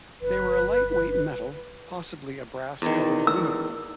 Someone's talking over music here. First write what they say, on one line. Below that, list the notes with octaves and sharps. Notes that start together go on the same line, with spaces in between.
They were a light weight metal, possibly a brass coloured aluminum.
G1 B4
E2 D#3
E6